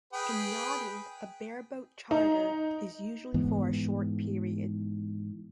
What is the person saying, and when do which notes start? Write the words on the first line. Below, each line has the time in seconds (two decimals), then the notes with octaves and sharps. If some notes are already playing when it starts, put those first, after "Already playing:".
In yachting a bareboat charter is usually for a short period.
0.13 G#4 B4 G5
2.11 D#4
3.34 G#2 E3 B3